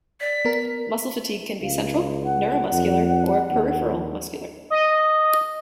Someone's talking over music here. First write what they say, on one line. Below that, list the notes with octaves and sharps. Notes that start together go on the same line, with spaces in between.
Muscle fatigue can be central, neuromuscular, or peripheral muscular.
D5 B6
B3 A#4
C#2 F5
F#5
F2
D#2
D#5